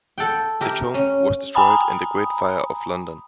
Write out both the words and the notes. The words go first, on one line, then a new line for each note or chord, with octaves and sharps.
The tomb was destroyed in the Great Fire of London.
A4 F#5 G5
G4 A#4 E5
C#4
G5 G#5 A#5 B5 D#6